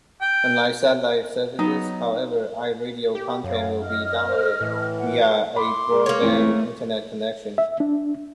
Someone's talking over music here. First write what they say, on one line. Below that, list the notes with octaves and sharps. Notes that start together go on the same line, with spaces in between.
Unlike satellite services, however, iRadio content will be downloaded via a broadband internet connection.
G5
F#3 B3 D#4
G4
F#2 C#5 F5
D#5 F6
C5
A2 E3
F#5
B5 C6 D6
G#3 A#4
A#3 C#5
C#2 E3 A3 C4
E5
D4